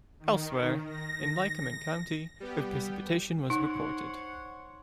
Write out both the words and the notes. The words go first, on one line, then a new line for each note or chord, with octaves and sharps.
Elsewhere, in Lycoming County, of precipitation was reported.
D#3
A#6
G3 B3 G4
D#4 C5 C#5 F#5